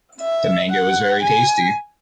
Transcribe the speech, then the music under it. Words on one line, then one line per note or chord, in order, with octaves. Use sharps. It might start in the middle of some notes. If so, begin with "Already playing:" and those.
The mango was very tasty.
E5
F#5
G#5